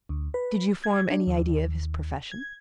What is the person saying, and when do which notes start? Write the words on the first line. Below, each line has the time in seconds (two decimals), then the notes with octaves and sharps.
"Did you form any idea of his profession?"
0.09 D2
0.34 B4
0.84 G#6
1.10 D4
1.27 D#2
2.31 G#6